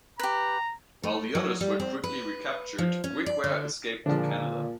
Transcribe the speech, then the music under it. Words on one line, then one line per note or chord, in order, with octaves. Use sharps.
While the others were quickly recaptured, Grigware escaped to Canada.
G4 B4 A#5
A3
F#3
G3
C4
B4
F3
C#4
D5
D3
A#2 D3 F3 G#3 D4